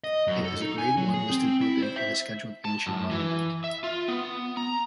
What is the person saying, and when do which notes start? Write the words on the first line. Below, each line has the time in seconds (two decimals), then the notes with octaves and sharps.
It is a Grade One listed building and a Scheduled Ancient Monument.
0.04 D#5
0.27 F#2
0.45 A4
0.62 D#4
0.78 G#5
0.97 F#3
1.14 G#4
1.30 C4
1.61 E4
1.82 C5
1.96 E5
2.65 A5
2.86 F#2
3.11 E3
3.64 E5
3.84 F4
4.08 B3
4.57 A#5